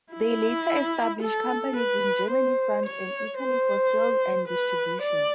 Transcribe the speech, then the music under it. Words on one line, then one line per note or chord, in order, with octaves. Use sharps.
They later established companies in Germany, France and Italy for sales and distribution.
E4
A4
B4
C5
C#5
C5
B4
D5